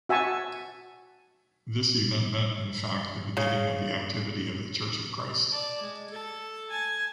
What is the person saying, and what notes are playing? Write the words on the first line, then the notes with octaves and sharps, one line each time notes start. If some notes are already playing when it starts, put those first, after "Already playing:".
This event meant, in fact, the beginning of the activity of the Church of Christ.
F#4 E5 G#5 A5 C#6
C#3
D5 A5
G#3
A4 A5
G#5 A5